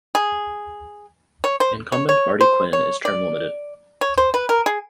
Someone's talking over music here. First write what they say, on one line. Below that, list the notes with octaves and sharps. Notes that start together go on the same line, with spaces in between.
Incumbent Marty Quinn is term limited.
G#4
C#5
C5
C#5
C#5
C5
C#5
D5
C#5
C5
B4
A#4
G#4